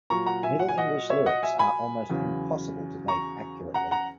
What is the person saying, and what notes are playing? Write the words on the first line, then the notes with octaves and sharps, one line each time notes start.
Middle English Lyrics are almost impossible to date accurately.
A#2 F#3 A#5 C#6
F#5 A#5
E5 G#5
F#5
G#5
D#5 F#5
C#5 E5
D#5 F#5
E5 G#5
G#5 B5
E2 C#3 F#3
A#5 C#6
F#5 A#5
F#5 A#5